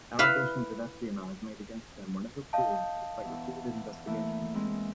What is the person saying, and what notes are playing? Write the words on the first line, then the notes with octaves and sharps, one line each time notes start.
Allegations of espionage made against him were never proved despite repeated investigations.
E4 B4 E5 F5
D#5 F5 A5 G6
E2
E3 A3 A#3
G#3 C4 E4